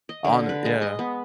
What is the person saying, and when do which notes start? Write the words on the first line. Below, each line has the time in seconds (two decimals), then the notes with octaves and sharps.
On it, yeah.
0.09 D#5
0.25 D3
0.49 B4
0.65 G#3
0.82 D#5
0.99 B3